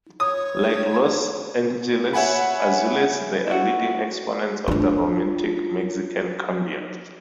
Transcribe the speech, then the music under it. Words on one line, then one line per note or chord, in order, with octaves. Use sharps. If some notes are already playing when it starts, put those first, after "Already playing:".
Like Los Angeles Azules, they are leading exponents of the romantic Mexican cumbia.
C#5 D#6
C#5 E5 F#5 G#5 B5
E4 F#4
D4 F4